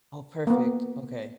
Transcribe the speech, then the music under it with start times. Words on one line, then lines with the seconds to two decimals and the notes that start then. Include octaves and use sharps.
Oh, perfect, okay.
0.47 A#3 B3